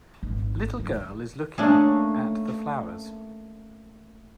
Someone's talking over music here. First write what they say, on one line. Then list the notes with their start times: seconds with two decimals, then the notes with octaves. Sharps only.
Little girl is looking at the flowers.
0.23 G#1
0.79 F3
1.58 A3 A#3 C#4 D4 G#4